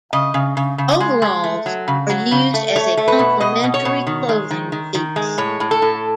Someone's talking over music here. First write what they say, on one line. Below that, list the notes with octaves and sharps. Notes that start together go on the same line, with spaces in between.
Overalls are used as a complementary clothing piece.
C#3 D#5
C#3
C#3
C#3
G#3
G#3
A3
F#3
C#3
F#3
C#3
A3
A3 C#5
A3
B4
B2
B2 D#5
B2
C#5
B2
D#3
G#3
D#3
D#3
D#3
G#3
A2 C#5
A2
A4
A2